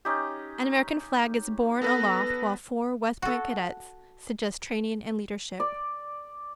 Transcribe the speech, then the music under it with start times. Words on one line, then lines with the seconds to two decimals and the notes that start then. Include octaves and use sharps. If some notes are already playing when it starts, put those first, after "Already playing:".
An American flag is borne aloft while four West Point cadets suggest training and leadership.
0.05 C#4 D#4 G4
1.82 B3 A4 B4 A#6
3.22 F#4 A4
5.60 D5